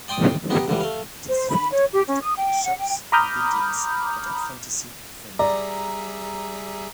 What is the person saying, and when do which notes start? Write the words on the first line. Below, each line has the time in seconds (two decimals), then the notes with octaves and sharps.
It is filled with shops and buildings that are fantasy-themed.
0.08 D5 G5 C6 D6 D#6
0.50 B3 D#4 G4
0.68 C#2 D3 E3 G3
0.81 A3 F5
1.28 C5
1.50 B5
1.71 C#5
1.92 G4
2.06 C#4
2.21 D#6
2.35 G5
2.63 F#5
2.77 G5
3.12 A#5 B5 D6 D#6 F6 G6
5.39 G3 G#4 D5 E5 A#5